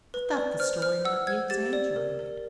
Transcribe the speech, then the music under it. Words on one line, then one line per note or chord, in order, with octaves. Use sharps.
I thought the story might be exaggerated.
B4
D5
C5 F6
C5 F6
F#5 E6
C5 G#6
G4 A6
D5
A#4
A#4